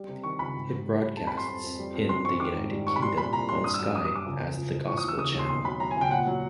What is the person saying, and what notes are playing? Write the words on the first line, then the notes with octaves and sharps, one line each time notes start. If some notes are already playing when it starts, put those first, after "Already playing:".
It broadcasts in the United Kingdom on Sky as The Gospel Channel.
Already playing: G3
C3
D#3 C#6
C#2 B5
G#2
G#2
G3
G3
F2 A5
B5
F2 C6
F2 C6
F2
G3
F2
C3 C6
F2 C#6
D#3 D6
G#2
G3
G#2 C#6
B5
G3 C6
A#2 B5
C2 A#5
G3 C6
G2 D#6
E6
F#3
E6
G2 D#6
D#6
G2
D6
C#2
F3
C#2
F3
E3 C#6
D#6
D#2
E6
C#3 D#6
D#2
C6
B2 C6
F#3 B5
F#3 A#5
G#5
C#2
G5
A#2 F#5
F#3